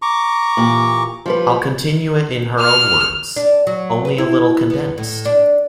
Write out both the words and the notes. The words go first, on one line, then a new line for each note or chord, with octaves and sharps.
I’ll continue it in her own words, only a little condensed.
A#5 C#6 D6
A#2 E3 G4
F3 G3 B4
F6
D4
F#3
B4
E4
B3
A2
D4